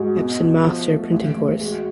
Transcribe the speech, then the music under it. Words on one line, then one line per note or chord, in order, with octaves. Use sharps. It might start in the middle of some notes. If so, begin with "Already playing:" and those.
Epson Master Printing Course.
Already playing: G#2 F#4
B2
B2
F3
A3
A1
A1
G#3 F#4